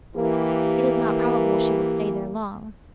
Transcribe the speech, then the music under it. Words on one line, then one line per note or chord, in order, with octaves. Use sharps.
It is not probable she will stay there long.
E3 A#3 G4